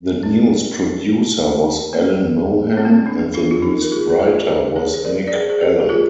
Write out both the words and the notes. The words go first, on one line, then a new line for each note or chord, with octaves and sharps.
The news producer was Alan Mohan, and the news writer was Nick Allen.
C4
A#3
C4
A#3
C4
A#3 D4
D4 F4
F4
D#4 G4
A#4
F4 G#4
A#4
F4 G#4
C5
G4 A#4
G#4 C5
C5
A#4 D5
D5
G#4 C5
G#4
G4 A#4
G4
F4 G#4